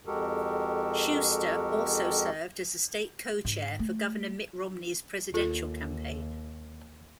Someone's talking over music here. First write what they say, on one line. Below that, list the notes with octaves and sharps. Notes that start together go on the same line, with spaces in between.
Shuster also served as a state co-chair for Governor Mitt Romney's Presidential campaign.
F2 G#3 F#4 G4 A4 A#4
G#2
A3
D#2 F4 A4